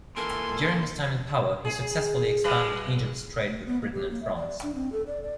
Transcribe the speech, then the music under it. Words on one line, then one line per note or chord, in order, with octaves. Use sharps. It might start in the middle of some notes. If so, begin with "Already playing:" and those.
During his time in power, he successfully expanded Egypt's trade with Britain and France.
A#2 E3 A4 A#4 G#5 C6
G#4
F#3 G#3 B4
A3
B3
A#3
G4
A#3
E5
D5
D4
C4
A4
D5
D5